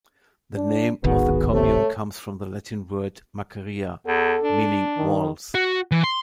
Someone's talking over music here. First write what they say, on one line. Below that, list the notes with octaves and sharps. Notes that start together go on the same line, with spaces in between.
The name of the commune comes from the Latin word: "maceria", meaning walls.
D4
D1 G#1 D#3 B3 F#4 G#4
C3 A3 C#5
E2 A4
D4
D#3
F#4
E3
C6